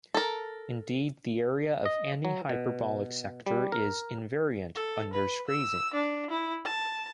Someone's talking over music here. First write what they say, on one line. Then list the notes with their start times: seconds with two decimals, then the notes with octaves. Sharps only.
Indeed, the area of any hyperbolic sector is invariant under squeezing.
0.14 A4 A#4
1.85 D#5
2.25 F#3
2.49 B2
3.46 G3
3.72 A#4
4.76 A4
5.13 B4
5.48 E6
5.94 D4
6.30 E4
6.65 A5